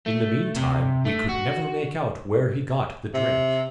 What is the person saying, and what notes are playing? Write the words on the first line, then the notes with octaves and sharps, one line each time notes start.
In the meantime, we could never make out where he got the drink.
A3
C3
A3
F#4
C3